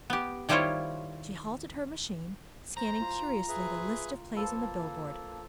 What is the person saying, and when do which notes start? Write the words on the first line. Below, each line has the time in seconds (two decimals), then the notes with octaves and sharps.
She halted her machine, scanning curiously the list of plays on the billboard.
0.10 B3 G4
0.49 D#3 G3 E4 F4 C5 C#5
2.77 C5 A#5
3.01 F4
3.49 G#4 B4 E5
4.35 F3 A#3 A4 B4